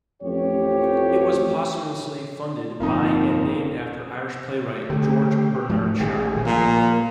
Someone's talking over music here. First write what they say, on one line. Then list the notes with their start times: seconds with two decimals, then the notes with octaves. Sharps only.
It was posthumously funded by and named after Irish playwright George Bernard Shaw.
0.23 A1 F2 G4 C#5
2.80 G1 F2 A#3 C4 D#4
4.90 D3 A3 G4
5.69 G#2 F3 A3
6.00 A1 D#3 G4 G#4
6.34 A#1 A2 F3
6.46 A#2 F3 A#3